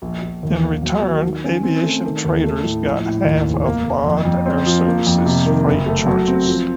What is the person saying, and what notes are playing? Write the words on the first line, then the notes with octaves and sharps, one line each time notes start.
In return, Aviation Traders got half of Bond Air Services' freight charges.
A#1
A#1
D#2
A#3
F#3
F#3
D#3
C#4
C4
A3
D#3
D#2
A3
A2
A#1
A2
D#2
F1
A#3
A#3
F2
F2
C4
F3
A#3
F2
C3
D#3
F#1
A3
F#3
C4
F3